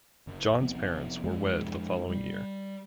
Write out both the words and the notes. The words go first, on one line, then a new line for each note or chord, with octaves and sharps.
John's parents were wed the following year.
F#1
F1 F2 B3
F2 F3 G#3
G3